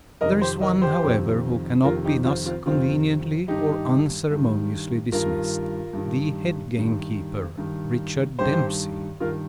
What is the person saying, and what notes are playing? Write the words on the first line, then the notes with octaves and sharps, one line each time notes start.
There is one, however, who cannot be thus conveniently, or unceremoniously, dismissed--the head-gamekeeper, Richard Dempsey.
F2 C3 D#3 A#4 D#5
G4 C5
A#4 D#5
G4 C5
F2 C3 D#3
F2 C3 D#3 F4 A#4
D#4 G4
C4 F4
C4 F4
F2 C3 D#3 C4 F4
G2 D#3 D#4 G4
G2 D#3
G2 D#3 F4 A#4
G2 D#3
G2 D#3
G2 D#3
G2 D#3 G4 C5
G2 D#3 F4 A#4